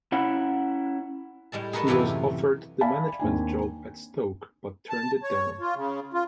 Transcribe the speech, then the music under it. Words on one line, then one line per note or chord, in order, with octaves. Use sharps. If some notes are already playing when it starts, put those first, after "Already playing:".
He was offered the management job at Stoke but turned it down.
C#4 E4 F#5
A2 G3 G#3 A5
G#4 A#4 B4 C#5 D#5 A5
F#2 A2 C3 E3 F4 G4
D5 E5 F5 G#5 A5 B5
D#2 C4 D4 G#5
A5
C#5
F4
C#3
F4